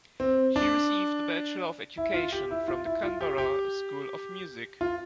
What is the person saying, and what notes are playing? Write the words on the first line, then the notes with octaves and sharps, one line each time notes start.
She received a Bachelor of Education from the Canberra School of Music.
C4
D4
E4
F4
G4
E4
F4
E4
F4
G4
G4
F4